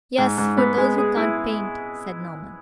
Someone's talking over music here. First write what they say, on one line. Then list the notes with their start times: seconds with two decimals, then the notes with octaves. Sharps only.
"Yes, for those who can't paint," said Naumann.
0.18 G#2
0.38 G#2
0.58 B3
0.77 G#3
0.98 G#4
1.17 E4